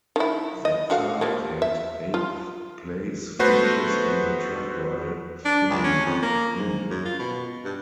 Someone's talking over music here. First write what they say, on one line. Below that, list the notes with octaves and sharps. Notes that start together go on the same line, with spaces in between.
Setzer had eighth-place finishes in the truck while filling in.
D#3 E4
D#5
D3 F#4 F5
F3 G3 A#3
E5
F4
A3 B3 F#4 B4 C5
D4
C#2
C#4
F2
A#3
G#2
F#2
F4
B2
G2